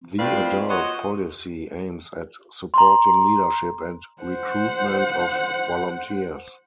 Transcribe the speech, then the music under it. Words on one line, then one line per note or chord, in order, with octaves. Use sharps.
The adult policy aims at supporting leadership and recruitment of volunteers.
A2 C4 F4 B4 D5
F3 B3 F#4 C5 C#5 D#5
A#5 C6
C5 F#5